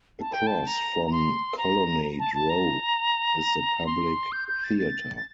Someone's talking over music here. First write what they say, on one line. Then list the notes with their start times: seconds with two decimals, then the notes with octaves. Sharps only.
Across from Colonnade Row is The Public Theater.
0.21 A5
0.33 G5
0.47 A5
0.67 A#5
1.07 A#5
1.12 C6
1.58 A#5
2.19 A5
2.34 A5
2.49 A#5
3.86 C6
4.32 G6
4.48 G6
4.64 A6
4.78 A6
5.17 A6